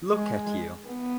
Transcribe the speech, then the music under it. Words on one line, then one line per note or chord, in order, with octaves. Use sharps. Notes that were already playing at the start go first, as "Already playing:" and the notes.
Look at you.
G#3
B3